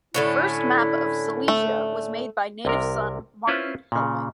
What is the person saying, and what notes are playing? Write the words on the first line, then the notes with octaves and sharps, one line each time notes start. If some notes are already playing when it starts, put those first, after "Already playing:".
The first map of Silesia was made by native son Martin Helwig.
A2 D3 C#4 E4
A3
C2 C3 A#4
C#4 E4 F4 B4 C5
A#2 C#3